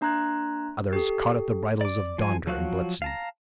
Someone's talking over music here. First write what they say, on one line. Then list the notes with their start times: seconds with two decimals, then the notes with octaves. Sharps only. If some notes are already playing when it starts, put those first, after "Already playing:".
Others caught at the bridles of Donder and Blitzen.
0.01 A#3 D4 A#5 C6 F#6 G#6
0.93 G4 A4
1.81 D5 D6
2.18 F3 G#5
2.47 F3 F#3 F#4 F5 F#6
3.02 F5 A5 A#5